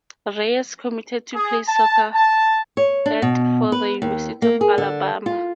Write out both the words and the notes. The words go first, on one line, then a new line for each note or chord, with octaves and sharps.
Reyes committed to play soccer at for the University of Alabama.
G#4
A5
A5
C#5
D4
B2
B4
D#2
A#3
G#4
D3
F4